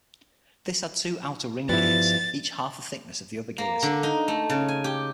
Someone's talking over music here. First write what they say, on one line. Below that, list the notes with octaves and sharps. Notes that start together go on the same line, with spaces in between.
This had two outer ring gears, each half the thickness of the other gears.
G2 F3 G3 B3 E4 A6
A#3
D3
D#4
A3
C#3
G#5
G4